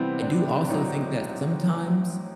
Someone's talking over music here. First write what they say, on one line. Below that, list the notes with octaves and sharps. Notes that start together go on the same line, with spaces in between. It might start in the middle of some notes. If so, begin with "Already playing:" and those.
I do also think that sometimes
Already playing: C3 E3 G3 B3 C4 E4
D4
A1 A2 F#3 D#4